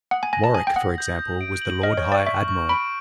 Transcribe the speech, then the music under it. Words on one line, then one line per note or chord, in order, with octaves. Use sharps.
Warwick,for example, was the Lord High Admiral.
F#5 D#6
G#5
G#5 A#6
A5
G#5 D#6
G5
F#5 D#6
G6
G6
D7
F#7
D#5 F6
C#5
C#6
D5
E5 C#6
C#6
B5 D7